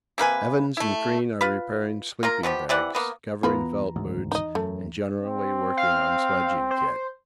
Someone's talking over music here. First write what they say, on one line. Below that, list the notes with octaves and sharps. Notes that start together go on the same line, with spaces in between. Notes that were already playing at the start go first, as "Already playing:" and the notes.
Evans and Crean are repairing sleeping-bags, covering felt boots, and generally working on sledging kit.
C3 A#3 B4 G#5
A3 E4
F4 B4
A#3 F4 A#4
B2 F3 C4 G4
C3 E3 D5 F#5
A#3 B3
E2 E3 B3 F4 A#4 B4 A#5
G#1 D2 G#2
D#4 D#5
F#2 A3
C4
F5
C5